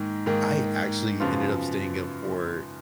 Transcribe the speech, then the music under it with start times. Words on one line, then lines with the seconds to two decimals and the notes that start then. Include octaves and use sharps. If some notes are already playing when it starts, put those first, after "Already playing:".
I actually ended up staying up for
Already playing: G#2 D#3 A#3
0.26 G#2 D#3 A#3
1.20 F#2 C#3 F3 B3 F4